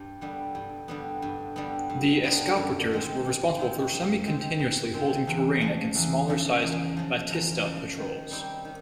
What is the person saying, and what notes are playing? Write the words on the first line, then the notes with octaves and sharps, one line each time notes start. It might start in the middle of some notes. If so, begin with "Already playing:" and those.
The "escopeteros" were responsible for semi-continuously holding terrain against smaller sized Batista patrols.
Already playing: G2
D3 G3 B3
G2
D3 G3 B3
G2
D3 G3 B3
G2
D3 G3 B3
F#2
D#3 G#3 C4
F#2
D#3 G#3 C4
F#2
D#3 G#3 C4
F#2
D#3 G#3 C4
E2
C#3 F3
E2
C#3 F3
E2
C#3 F3
E2
C#3 F3
D#3
G3 C4 D#4 G4
D#3